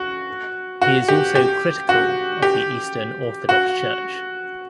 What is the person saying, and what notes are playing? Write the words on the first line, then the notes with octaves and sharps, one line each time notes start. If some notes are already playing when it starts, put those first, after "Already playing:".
He is also critical of the Eastern Orthodox Church.
Already playing: F#4
F#4
G4
G4
F#4
G4
F#4